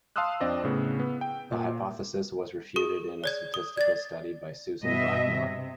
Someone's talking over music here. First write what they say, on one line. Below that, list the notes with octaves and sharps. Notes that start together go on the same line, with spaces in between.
The hypothesis was refuted in a statistical study by Susan Blackmore.
F5 A5 C6 D#6 E6 F#6
F2 C4 D4 D5 D#5
A2 C#3 B3
B3
G5
A#2
G#4 D#6
C#5 D5 G#6
D#6
D5 G#6 A6
G2 B2 B3 D#5 E5
C3